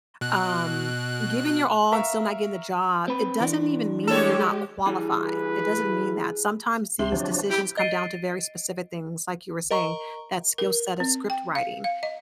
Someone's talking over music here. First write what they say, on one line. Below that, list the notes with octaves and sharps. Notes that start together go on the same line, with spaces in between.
um, giving your all and still not getting the job, it doesn't even mean you're not qualified, it doesn't mean that. Sometimes these decisions come down to very specific things, like you were saying, that skill-set of script writing.
B2 F#6
A#4 E5 F5 C#6
C4 B4
E3 D4
G#3 G4 A4 C#5
E3 G3 G#4
B4
C#2 C3 C6
D3 F3 F#3 D4
E4 G4
D#5 A6 C7 D7 D#7
A#4 D#5 A#5 C#6
A#4
C4
G5
F5
F5
D#5